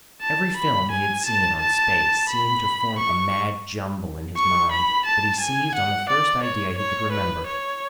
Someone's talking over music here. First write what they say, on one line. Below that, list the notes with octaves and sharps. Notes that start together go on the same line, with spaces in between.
Every film he had seen on space seemed to form a mad jumble in his mind, but he seized on the first idea he could remember.
A5
B5
G#5
A5
A5
B5
C#6
C#6
B5
A5
G#5
F#5
D5
C#5
C#5
B4
C#5